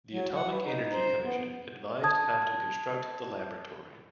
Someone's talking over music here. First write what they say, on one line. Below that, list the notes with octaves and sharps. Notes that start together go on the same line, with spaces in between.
The Atomic Energy Commission advised how to construct the laboratory.
F#3
F#5
B4
D#4
C5
B3
A5 D#6 G#6